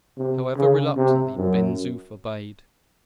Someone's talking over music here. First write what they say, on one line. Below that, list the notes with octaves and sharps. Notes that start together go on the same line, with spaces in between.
However reluctantly, Ben Zoof obeyed.
C3
C#3
C3
F#2